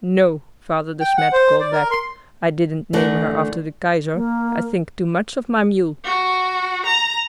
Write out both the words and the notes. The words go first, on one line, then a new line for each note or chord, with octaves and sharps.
"No," Father De Smet called back, "I didn't name her after the Kaiser. I think too much of my mule!"
G5
F#5
C5
D5
A#4
C6
D3 E3 A3 A#4 F#5
A#3
F#4
A#5